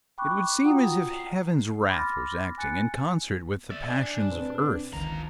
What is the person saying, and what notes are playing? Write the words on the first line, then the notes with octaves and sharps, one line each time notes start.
It would seem as if Heaven's wrath was acting in concert with the passions of Earth!
G5 B5 C#6 D6 F#6
F4 F#4 F#5 G5 A#5 D#6
C7
B5 C6 D6 F6 A6 A#6
G#5 F#6 A6 C#7
D5 E5
D4 G#5
A2 C4 B4
G1 C#2 D#3 F3 A#5